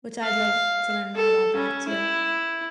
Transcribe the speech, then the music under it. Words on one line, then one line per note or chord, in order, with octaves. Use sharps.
which I'd love to learn more about that too.
F5
A4
C#4
E4